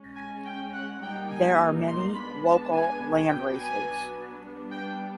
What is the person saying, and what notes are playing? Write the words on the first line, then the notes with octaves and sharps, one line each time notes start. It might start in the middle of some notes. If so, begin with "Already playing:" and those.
There are many local landraces.
Already playing: G#3 C#4
G#5
G5
F#5
G3 A#3 D#4 G5
G#5
C6
G#3 B3 D4 B5
A5
G#5
F#3 B3 D4 G5
G#5
G3 B3 D4
G5